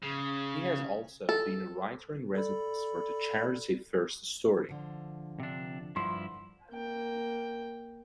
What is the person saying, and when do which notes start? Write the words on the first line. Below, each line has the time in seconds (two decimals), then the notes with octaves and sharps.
He has also been a writer-in-residence for the charity First Story.
0.03 C#3
1.29 A4
2.35 A4 D5 B5
4.69 D3 F3
5.40 C3 D4
5.96 G2 D3 F3 E4 C6
6.71 A#3 G5